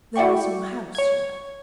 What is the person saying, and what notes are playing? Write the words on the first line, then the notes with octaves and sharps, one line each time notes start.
"There is no house, you know."
E4 F#4 D5 G5 C#6
C#5 G#6